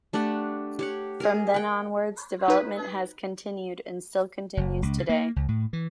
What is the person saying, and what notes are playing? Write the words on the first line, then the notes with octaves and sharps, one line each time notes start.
From then onwards development has continued and still continues to-day.
A3 D4 G4 F#5
G4 C#5 F#5
G#4 A#4
F#5 G5
D#4 B4
F#1
C#2
C#3
A#3
C#2
A2
E3